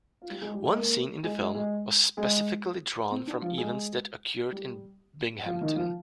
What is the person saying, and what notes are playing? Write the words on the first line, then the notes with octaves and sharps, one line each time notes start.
One scene in the film was specifically drawn from events that occurred in Binghamton.
F4
G3 G4
G#3 G#4
G3 G4
G#3 G#4
A#3 A#4
G#3 G#4
G#3 G#4
G#3 G#4
G#3 G#4
C4
D4
F3 F4
G#3 G#4
G3 G4
F3 F4
D#3 D#4
F3 F4